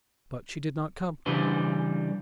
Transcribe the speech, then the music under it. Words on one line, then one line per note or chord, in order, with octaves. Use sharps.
But she did not come.
C#3 E3 G3 D4 B4 C5